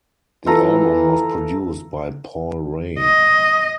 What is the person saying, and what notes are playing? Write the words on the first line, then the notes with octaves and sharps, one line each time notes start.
The album was produced by Paul Ray.
E3 F4 A4 A#5
D#5